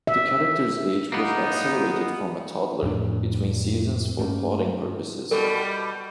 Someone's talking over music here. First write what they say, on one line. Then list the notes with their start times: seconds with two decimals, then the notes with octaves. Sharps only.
The character's age was accelerated from a toddler between seasons for plotting purposes.
0.07 E5
1.12 A#3 B3 D#4
2.82 F2 A2 D4
4.19 G2 A3 A#3 C#4
5.31 B2 G3 A4